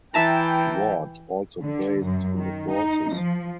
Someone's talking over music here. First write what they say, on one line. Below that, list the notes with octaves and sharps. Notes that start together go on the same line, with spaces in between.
Ward also praised the courses.
E3 E5 G5 A5 A#5
D3
F#2
D#3
D#4
F3